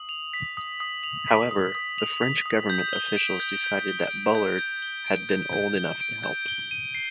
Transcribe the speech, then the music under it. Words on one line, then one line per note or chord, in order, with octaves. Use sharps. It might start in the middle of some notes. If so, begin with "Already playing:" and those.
However, the French government officials decided that Bullard had been old enough to help.
Already playing: D#6
F7
B6
D#6
D#6
F7
B6
D#6
D#6
F7
B6
D#6
G6
G7
D7
G6
G6
G7
D7
G6
G6
G7
D7
G6
G6
G7
D7
G6
G7
D#7
C7